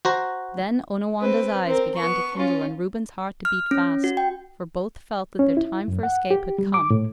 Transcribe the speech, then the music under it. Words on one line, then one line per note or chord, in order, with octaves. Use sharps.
Then Onawandah's eyes began to kindle, and Reuben's heart to beat fast, for both felt that their time for escape had come.
F#4 C5 A#5
C4 B4
C4 A#4
B3 C#6
C#4 F4
F6
C#4
F#4
G5
C#4
E4
F#2
F#5
G4
G3
D6
A2